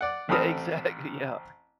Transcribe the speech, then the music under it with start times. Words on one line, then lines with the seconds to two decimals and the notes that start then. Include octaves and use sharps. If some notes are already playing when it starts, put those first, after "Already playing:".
Yeah, exactly, yeah,
0.01 D5 F#5
0.29 A1 C4 A4 B5 D#6 F6